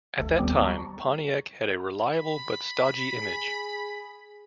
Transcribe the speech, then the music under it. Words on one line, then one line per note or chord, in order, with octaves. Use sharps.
At that time Pontiac had a reliable but stodgy image.
G1 D2 A3 A4
D#2 G3 B3 C4 G5 D6
G3 A5 A#5 C#6
B5
G#4